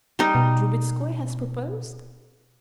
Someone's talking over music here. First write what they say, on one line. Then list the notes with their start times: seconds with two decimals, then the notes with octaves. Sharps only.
"Drubetskoy has proposed?"
0.19 G3 D#4
0.35 B2